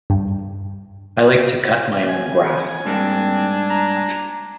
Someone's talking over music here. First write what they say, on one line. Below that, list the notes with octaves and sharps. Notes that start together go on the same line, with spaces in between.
I like to cut my own grass.
G2
G#5
G#2 G3 A#3 C4 D4
A#5